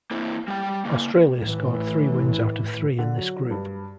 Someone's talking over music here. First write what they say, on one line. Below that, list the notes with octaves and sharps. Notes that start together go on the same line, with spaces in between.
Australia scored three wins out of three in this group.
A#3 C4 E4
G3 G5
C#3 A#3
A2 E3
D3
F#3
G2